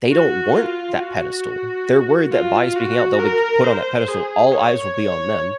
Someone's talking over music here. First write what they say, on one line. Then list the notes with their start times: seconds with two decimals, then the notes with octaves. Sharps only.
they don't want that pedestal, they're worried that by speaking out, they'll, like put on that pedestal all eyes will be on them,
0.11 F#4
0.54 F4
0.99 F#4
2.31 F4
2.76 F#4
3.19 A#4
3.64 C5
4.08 G#4
4.52 C#5
4.96 C#5